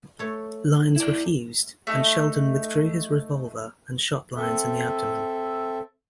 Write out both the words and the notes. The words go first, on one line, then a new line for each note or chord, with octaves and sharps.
Lyons refused, and Sheldon withdrew his revolver and shot Lyons in the abdomen.
A3 A4 C#5
E4 D5
A3 D#4
C4 A4 E5